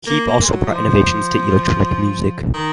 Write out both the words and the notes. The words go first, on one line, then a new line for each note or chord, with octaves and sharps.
Keep also brought innovations to electronic music.
A#3
A#3
G#3
F#3
F3
D#3